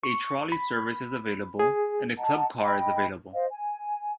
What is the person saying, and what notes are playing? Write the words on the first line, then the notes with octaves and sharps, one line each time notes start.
A trolley service is available, and a club car is available.
C#6
B5
G#4
D#5 F#5 A5 A#5
D#5 G5 B5
C5 D#5 F5
G#5